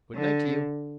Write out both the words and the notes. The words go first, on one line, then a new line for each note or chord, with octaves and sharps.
"Good-night to you."
D3